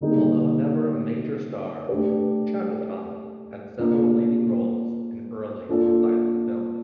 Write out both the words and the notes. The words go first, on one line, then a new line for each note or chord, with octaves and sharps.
Although never a major star, Chatterton had several leading roles in early silent films.
D3 G3 A#3 D#4 G#4
A3 D4 G4 B4
A#3 D4 F4
A#3 D4 F4 A4